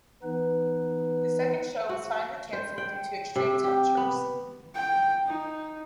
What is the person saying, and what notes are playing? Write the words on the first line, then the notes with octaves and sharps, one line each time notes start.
The second show was finally canceled due to extreme temperatures.
E3 B3 D#4 B4
F#4
C5
G5
C3
G4
B3
G5
D#4